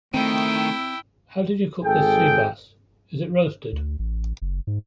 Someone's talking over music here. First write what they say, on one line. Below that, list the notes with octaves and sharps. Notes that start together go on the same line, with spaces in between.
How did you cook this seabass? Is it roasted?
D#3 A3 C4 E4 G5
G#1 G#4 A4 G5
D2
A1
F#1
G#2